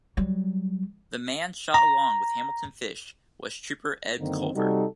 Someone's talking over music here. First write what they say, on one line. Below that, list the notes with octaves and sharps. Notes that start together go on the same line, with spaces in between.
The man shot along with Hamilton Fish was Trooper Ed Culver.
F#3 G3
A#5
F#2 D3 D#3 A#3 C4
C3 G3 D#4 F#4 A4